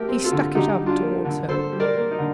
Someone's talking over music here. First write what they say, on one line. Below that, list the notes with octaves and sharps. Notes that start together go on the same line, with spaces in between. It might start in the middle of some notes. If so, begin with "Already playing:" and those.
He stuck it out toward her.
Already playing: A3 G4 A#4
C4
F4 A4
D3
D3 D#4 G4
G3
D4 F4
A#3
D3
D3 A4 C5
G3
A#4 D5
A#3
D#4
D3